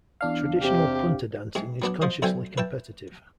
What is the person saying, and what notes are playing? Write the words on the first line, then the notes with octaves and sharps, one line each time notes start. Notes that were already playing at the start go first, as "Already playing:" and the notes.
Traditional punta dancing is consciously competitive.
E2 D4 F5
C3 G4
G#2 C3 G#3
F#3 B3 D4
F3 C5 D#5
B1 D3 C4 E5 G5 G#5
B4 E5 G5 A5